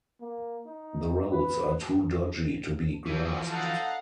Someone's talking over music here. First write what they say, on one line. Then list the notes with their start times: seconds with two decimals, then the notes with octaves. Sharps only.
The roads are too dodgy to be grasped.
0.21 A#3
0.66 D#4
1.32 B4
3.06 E3 F3
3.51 D#4 A4 F5 F#5 A5